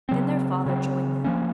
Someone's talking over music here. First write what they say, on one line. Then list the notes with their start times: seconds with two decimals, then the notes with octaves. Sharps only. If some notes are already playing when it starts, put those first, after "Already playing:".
Then their father joined them.
0.09 C#3 F#3 C4
0.66 C#3 F#3 C4
1.24 F3 A#3 C#4